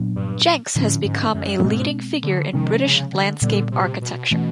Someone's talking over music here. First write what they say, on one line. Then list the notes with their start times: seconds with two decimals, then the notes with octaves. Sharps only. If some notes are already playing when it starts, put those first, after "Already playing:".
Jencks has become a leading figure in British landscape architecture.
Already playing: A#2 F#3 B3 D4
0.16 G2
0.75 A2 D3 F3 G#3 C#4
1.05 G#2
1.34 F#2
1.64 G#2 B2 G#3 C4
2.24 D3
2.53 C3 D#3 F3 G#3 C#4
2.83 C#3
3.13 D3
3.42 A#2 D3 G3 B3
3.72 C3
4.02 B2
4.31 B2 E3 A3 C#4